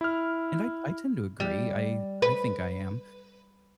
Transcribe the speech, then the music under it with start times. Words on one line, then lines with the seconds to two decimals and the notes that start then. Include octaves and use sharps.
And I I tend to agree, I I think I am.
0.01 E4 F6
1.40 G3
2.22 B4